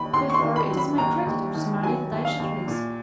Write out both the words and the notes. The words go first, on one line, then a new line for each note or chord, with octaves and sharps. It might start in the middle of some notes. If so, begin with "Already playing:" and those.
Therefore, it is my creditors' money that I should risk.'
Already playing: D#2 B5
D#2 C6
C#6
C6
D#3
B5
F#3
B5
D#2 A#5
D#2
D#3
F#3 G#5
D#2
F5
D#2
A#2